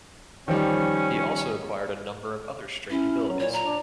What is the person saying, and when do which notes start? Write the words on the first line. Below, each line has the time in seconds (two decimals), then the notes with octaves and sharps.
He also acquired a number of other strange abilities.
0.48 D#3 F3 G3 C#4
2.90 C#4 E4
3.28 F#3
3.40 A#2 C#5
3.53 A#5
3.65 D4